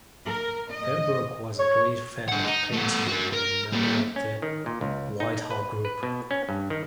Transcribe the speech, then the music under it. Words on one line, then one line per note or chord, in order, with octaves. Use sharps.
Pembroke was a great fan of painting and a member of the Whitehall group.
A#4
D#5
C#5
G2 F#5
D#4
A3 B3
F#4 A#4
A#4
G3 A#3
C#4
D#3
A#2
C#2
D#4
B4
B4
B2
C#4
G2
D#3